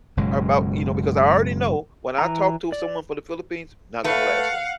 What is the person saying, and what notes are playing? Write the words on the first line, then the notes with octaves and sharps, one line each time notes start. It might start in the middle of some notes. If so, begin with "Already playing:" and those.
or about, you know, because I already know when I talk to someone from The Philippines, not gonna last long.
F#1 F#2 B2 G#3
E3 A#5
D5
A3 B4 F5 F#5